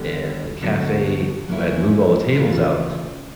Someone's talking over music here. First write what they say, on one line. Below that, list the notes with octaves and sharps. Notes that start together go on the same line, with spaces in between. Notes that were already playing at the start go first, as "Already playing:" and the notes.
and the cafe w had moved all the tables out.
Already playing: D3 G3 B3
D2 D3 F#3 B3
F#3 A#3 C#4 E4
C#3 E3 A3 C4 F4